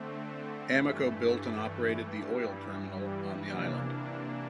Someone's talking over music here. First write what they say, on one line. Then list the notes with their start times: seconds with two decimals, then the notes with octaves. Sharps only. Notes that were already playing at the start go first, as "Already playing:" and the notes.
Amoco built and operated the oil terminal on the island.
Already playing: D3 A3 C4
0.65 G2 E3 A3
2.04 G2 E3 G3
3.42 C3 E3 A#3 D4